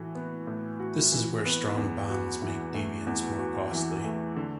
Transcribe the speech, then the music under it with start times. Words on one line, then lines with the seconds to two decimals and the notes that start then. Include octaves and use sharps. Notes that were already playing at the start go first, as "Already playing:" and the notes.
This is where strong bonds make deviance more costly.
Already playing: A2 E3 F#4
0.15 B3
0.47 A2
0.80 F#4
1.12 E3
1.45 B3
1.77 E2
2.10 F#4
2.42 E3
2.74 A3
3.07 E2
3.39 F#4
3.71 E3
4.04 A3
4.36 D3